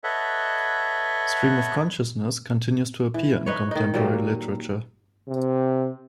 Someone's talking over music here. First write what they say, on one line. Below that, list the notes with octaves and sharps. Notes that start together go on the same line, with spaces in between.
Stream of consciousness continues to appear in contemporary literature.
A4 B4 C#5 D#5 E5 F#5
E3
D#4 B4 C#5
D#3 D#4
A#2 F#3 G3 A#3
C3